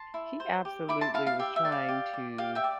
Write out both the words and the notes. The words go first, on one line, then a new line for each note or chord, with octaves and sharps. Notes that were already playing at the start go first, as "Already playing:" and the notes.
he absolutely was trying to
Already playing: A5 C6
E4
C5
G4
E4 B5 D6
A5 C6
E4 F5 A5
F5
G4 E5
E5
D5
F5
G4
D5
G4 F5
E5 G5
D5